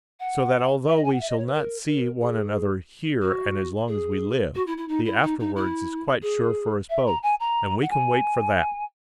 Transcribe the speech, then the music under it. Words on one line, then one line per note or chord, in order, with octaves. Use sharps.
So that although we shall not see one another here and as long as we live, the afterwards is quite sure for us both. And we can wait for that.
F#5
E5
D#5
G#5
F#5
E5
D#5
C#5
B4
A#4
A#4
G#4
F#4
G#4
F#4
E4
E4
D#4
E4
D#4
D#4
E4
G#4
E5
A#5
G#5
A#5
F#5
G#5